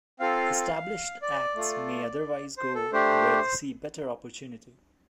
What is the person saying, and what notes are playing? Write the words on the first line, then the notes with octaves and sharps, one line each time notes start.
Established acts may otherwise go where they see better opportunity.
C4 F4 A4 F5
F5
D5
A3 F4 A4
C5
A4
A3 D4 G4 C5